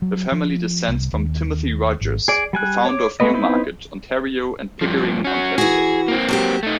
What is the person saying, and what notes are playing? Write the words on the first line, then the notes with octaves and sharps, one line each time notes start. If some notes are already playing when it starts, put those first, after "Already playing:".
The family descends from Timothy Rogers, the founder of Newmarket, Ontario and Pickering, Ontario.
F#3
F3
C2
D#2
G#1
G#4 D5
G3 G#5 F#6
C#5 D6
G#3 A3 B3 B4 D#5
B3 C4 D#4 E4 B4
G2 F3
C#4 F#4
E3 F#4 G#4
A#3 C4
F#3 F#4 G4
A3 D#4